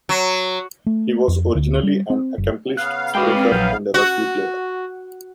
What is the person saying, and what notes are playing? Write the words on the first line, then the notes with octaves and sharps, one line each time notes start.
He was originally an accomplished sprinter and a rugby player.
F#3
A3
F2
D2
G3
C4
F#1
C#3 B3 F5 F#6
G#3 F#4 B4 G5 B5 D6
C4
A#1 F#3 G6
F#4